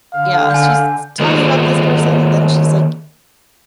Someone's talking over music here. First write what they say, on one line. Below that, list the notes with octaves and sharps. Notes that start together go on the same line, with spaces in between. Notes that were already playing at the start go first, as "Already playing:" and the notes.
Yeah, she's s talking about this person, then she's, like
D3 F5
G#5 G6
D#3 A#3 C4 F4 G#4 A4